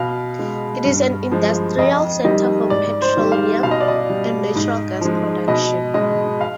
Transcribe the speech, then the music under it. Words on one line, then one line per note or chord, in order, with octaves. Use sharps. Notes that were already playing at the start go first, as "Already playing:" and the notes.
It is an industrial center for petroleum and natural gas production.
Already playing: B2 F5
G#3
G2
F3 G#3
F2 D#5
D#3 G3 D#5
G#2 D5
C5
D#3 G3
F5
B2 F5
D#5
D5
D#5
G3
G#2
F3 G#3
B2 D#5
G#3 D#5
F5